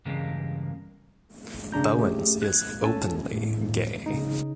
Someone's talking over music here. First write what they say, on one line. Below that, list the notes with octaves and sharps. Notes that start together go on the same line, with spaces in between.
Bowens is openly gay.
E2 G2 C#3 G#3 A#3
C#3 D4 A#5 G6
A3 C#4 G4 G#4
F#6 G#6
C#4 A4 G#5 A5
A2
C#3 D#4